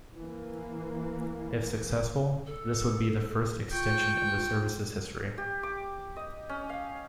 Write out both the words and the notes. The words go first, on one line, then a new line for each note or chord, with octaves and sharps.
If successful, this would be the first extension in the service's history.
E3 A#3
A4
F4 G5 C#6
G4
D6
D#5
C#4
F5